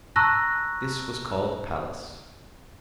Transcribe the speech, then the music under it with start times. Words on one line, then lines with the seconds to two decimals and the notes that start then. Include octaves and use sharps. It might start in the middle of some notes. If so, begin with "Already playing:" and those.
This was called Pallas.
0.16 A5 A#5 C#6 E6 F#6 A#6